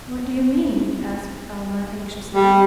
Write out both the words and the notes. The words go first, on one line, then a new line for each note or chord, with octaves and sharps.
"What do you mean?" asked Alma anxiously.
G3